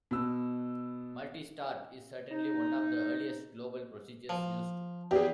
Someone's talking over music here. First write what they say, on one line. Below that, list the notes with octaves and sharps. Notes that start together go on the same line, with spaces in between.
Multistart is certainly one of the earliest global procedures used.
B2 E6
D#4
F3
E2 G4 G#4